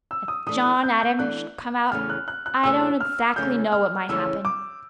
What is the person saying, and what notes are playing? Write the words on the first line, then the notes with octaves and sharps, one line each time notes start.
If John Adam should come out, I don't exactly know what might happen.
E6
D#6
E3 A3 D4 D#6
F#6
G6
G6
E3 A3 D4 F#6
E2 C#3 E3 A3 C#4 F6
F#6
F#6
F#6
E2 C#3 E3 A3 C#4 E6
F6
E2 C#3 E3 A3 C#4 G6
F6
E2 C#3 E3 A3 C#4 E6
D6